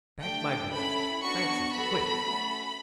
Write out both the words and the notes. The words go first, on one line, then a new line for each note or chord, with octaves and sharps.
"Back, my boy! Francis, quick!"
A3 D4 G4 G5
C#4 E4 A4 B5
B3 D4 F#4 C#6
B3 F#4 A4 B5
A3 C#4 F#4 A4